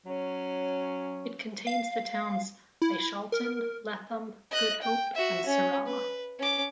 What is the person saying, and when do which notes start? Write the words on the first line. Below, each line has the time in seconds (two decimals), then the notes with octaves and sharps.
It contains the towns Aishalton, Lethem, Good Hope and Surama.
0.06 F#3 C#4
1.67 F5
2.82 E4
3.32 A#4
4.51 D#5 F#6
4.82 G5
5.15 F#4 E5
5.46 C#4
5.86 B4
6.39 C#4 D6